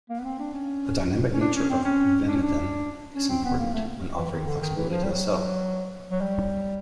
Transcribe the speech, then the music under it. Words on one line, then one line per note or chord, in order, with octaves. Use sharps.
The dynamic nature of vimentin is important when offering flexibility to the cell.
A#3
B3
C4
D4
C#4
C#4
D4
C#4
C4
C#4
D4
C#4
D4
C#4
C4
B3
A#3
A3
E3
D#3
D3
D#3
E3
F3
G3
F#3
F#3
G3